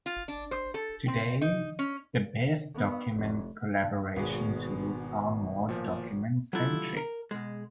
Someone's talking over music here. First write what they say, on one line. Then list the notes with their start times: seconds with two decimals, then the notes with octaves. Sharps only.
Today, the best document collaboration tools are more document-centric.
0.06 F4
0.28 D4
0.51 C5
0.74 A4
1.08 C4
1.41 D#4
1.79 C#4
2.75 B3
3.15 F1
4.16 G#1 B2 G#3 B3
5.69 A#2 F3
6.53 F#3 G3 A3 E4 F4
6.97 A#4
7.31 B2 G#3